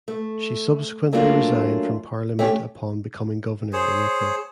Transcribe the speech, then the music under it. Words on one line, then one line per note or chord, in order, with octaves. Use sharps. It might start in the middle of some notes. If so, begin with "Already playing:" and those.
She subsequently resigned from parliament upon becoming Governor in April.
A3
F#3 A3 A#3 C#4 D4 F4
A3 C#4 G4
G#4 C5 C#5